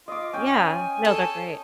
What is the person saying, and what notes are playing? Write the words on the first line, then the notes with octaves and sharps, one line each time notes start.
Yeah. No, they're great.
F4 D#5 D6
C#4 G5 G#5
A4